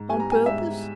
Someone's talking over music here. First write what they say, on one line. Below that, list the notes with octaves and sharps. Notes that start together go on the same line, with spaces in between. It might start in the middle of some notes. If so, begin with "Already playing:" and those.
On purpose.
Already playing: G#2
G3 B3 G#5
A#5
G#5
G#2 E5